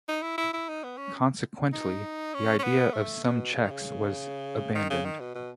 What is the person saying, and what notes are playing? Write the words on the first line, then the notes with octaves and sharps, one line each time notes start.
Consequently the idea of sum checks was abandoned.
D#4
E4
E4
E4
D#4
B3
C#4
D#4
C#4
C#4
B3
A3
B2
C#3
D#3
C#3
D#3
C#3
D#3
B2
B2